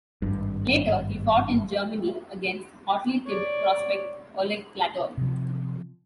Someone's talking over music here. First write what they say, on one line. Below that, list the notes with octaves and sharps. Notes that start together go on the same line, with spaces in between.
Later, he fought in Germany against hotly tipped prospect Oleg Platov.
G#1 G2
C#5 D5
C3 F3